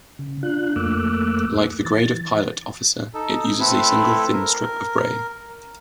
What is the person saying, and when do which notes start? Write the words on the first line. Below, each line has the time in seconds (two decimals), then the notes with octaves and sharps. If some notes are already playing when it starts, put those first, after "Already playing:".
Like the grade of pilot officer, it uses a single thin strip of braid.
0.19 C#3
0.43 D4 F4 F#6
0.76 F2 A3 A#3 D6 E6 F#6
1.85 E3 A6
3.14 D#4 A4
3.60 A3 C4 E4 A4 B4
4.33 A#4